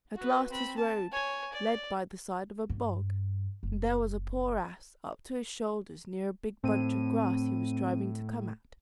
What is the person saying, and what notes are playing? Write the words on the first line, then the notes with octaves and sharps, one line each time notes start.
At last his road led by the side of a bog, and there was a poor ass up to his shoulders near a big bunch of grass he was striving to come at.
F#4 B4
C4 B5
A5
C#5 G#5
D5
G2
F#1
A2 C4 D#7